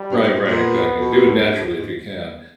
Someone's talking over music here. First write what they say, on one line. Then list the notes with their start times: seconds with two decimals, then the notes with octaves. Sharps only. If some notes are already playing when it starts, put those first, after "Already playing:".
Right, right, exactly. Do it naturally if you can.
Already playing: G3
0.11 G2
0.23 G#2
0.35 A#2
0.47 A#2
0.58 B3
1.00 B2
1.13 A#2
1.26 A2
1.40 G#2
1.54 G2
1.78 G#2